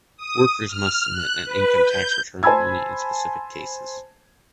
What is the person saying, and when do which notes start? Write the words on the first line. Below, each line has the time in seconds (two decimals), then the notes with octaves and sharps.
Workers must submit an income tax return only in specific cases.
0.17 D#6
0.67 F6
1.09 F#6
1.45 B4
1.82 G6
2.43 C5 G#5 A5 B5 E6 G#6